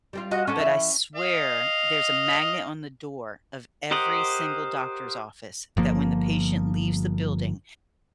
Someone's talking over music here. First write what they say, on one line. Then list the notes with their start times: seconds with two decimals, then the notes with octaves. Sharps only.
but I swear there's a magnet on the door of every single doctor's office that when the patient leaves the building,
0.13 G3 C4 F4
0.31 F#4 D#5
0.47 B3 C#4 D4 A4
0.60 E3 B4 E5
1.15 D#5 F5
3.91 G4 A#4 C5 D#5 F#5
5.77 G1 F3 A#3